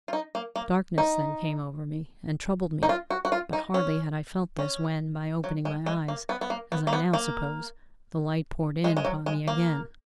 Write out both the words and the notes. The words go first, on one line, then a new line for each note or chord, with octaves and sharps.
Darkness then came over me and troubled me, but hardly had I felt this when, by opening my eyes, as I now suppose, the light poured in upon me again.
F4
D#4
A#3
A#3
D#4
D#4
F4
F#4
F#4
F4
D#4
C#4
C#4
F#3
G#3
G#3
A#3
B3
B3
A#3
B3
A#3
B3
A#3
G#3
G#3
F#3
G#3
A#3